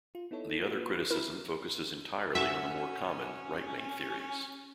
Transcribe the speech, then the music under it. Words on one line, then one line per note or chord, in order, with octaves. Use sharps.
The other criticism focuses entirely on the more common, right wing theories.
F4
B3 D#4 E4 A4 C#5
A#3 F4 F#4 B4
E4 A#4
C#4 F#4 E5